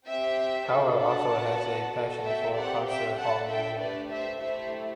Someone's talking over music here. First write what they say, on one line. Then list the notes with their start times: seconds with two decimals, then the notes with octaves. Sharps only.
Howard also has a passion for concert hall music.
0.08 C4 G4 E5 G5
0.70 D4 F#4 A4
1.01 F#5 A5
1.32 B3 F#4 A4
1.94 B3 F#4 A4
2.25 E5 G5
2.56 C4 G4 D5 F#5
2.87 E5 G5
3.17 D4 A4 F#5 A5
3.48 E5 G5
3.79 A3 D4 G4 B4 D5
4.10 C5 E5
4.42 A3 E4 G4 C5 E5